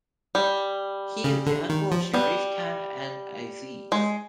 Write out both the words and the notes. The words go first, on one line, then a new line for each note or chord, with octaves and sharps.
He is the uncle of Sharif Khan and Aziz.
G3
C#3
D3
D#3
F3
G3 B3
G#3